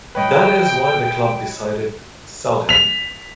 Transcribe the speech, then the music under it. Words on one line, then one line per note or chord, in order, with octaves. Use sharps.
That is why the club decided sell him.
B4 C#5 D#5 G5
B6 F7